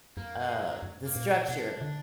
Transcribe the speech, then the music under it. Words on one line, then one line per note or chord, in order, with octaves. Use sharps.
uh, the structure
F#2 A#3
G#3
F#3
F#2
A#3
A#2
D4
B2 D4
D3